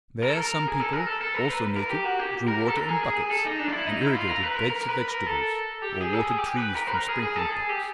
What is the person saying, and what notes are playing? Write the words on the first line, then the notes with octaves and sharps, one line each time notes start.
There some people, also naked, drew water in buckets, and irrigated beds of vegetables, or watered trees from sprinkling-pots.
A#4
A4
A#4
G#4
A4
A#4
A4
A4
A#4
B4
A#4
G4
F#4
G4
A#4
A#4
A4
A#4
G#4
G#4
G#4
A4
D#4
D4
F4
E4
D#4
E4
F4
A#4
B4
A#4
A#4
A#4
B4
A#4
A4
G4
G#4
A4
G#4
G4
B4
A#4
B4
A#4
G#4
G#4
A4
G#4
G4